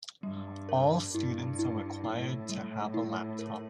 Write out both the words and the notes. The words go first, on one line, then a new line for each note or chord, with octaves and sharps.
All students are required to have a laptop.
G2 G3
A#4
G2 E4
E4
A2 E4
G3
E4
A#4